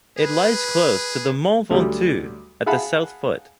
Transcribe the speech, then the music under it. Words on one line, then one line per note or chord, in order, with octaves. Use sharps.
It lies close to the Mont Ventoux, at the south foot.
G#4 B4
D2 F#3 G3
G#4 F5 F#5 A5 B5